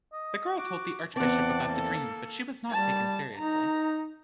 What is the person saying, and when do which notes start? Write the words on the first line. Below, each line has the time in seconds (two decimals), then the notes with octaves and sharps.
The girl told the archbishop about the dream but she was not taken seriously.
0.13 D#5
0.58 F#4 D6
1.16 E2 C4 F#5 A5 D6
1.70 A#3 A4
2.71 G3 A5
3.36 D#4 A#5